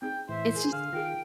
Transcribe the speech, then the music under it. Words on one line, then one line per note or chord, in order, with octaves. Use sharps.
it's just
C4 D#4 G#4 G5
A2 E3 C5 E5
G#4 A#4
D3 F5
D#3 F4 G#4 G5